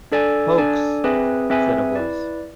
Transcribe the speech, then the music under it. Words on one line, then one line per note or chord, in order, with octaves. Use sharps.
"Hoax," said a Voice.
D4 A4 D5 G#5
D4 A4 D5 G#5
C4 G#4 B4 E5 G#5
C4 G#4 B4 E5 G#5
E4 B4 D5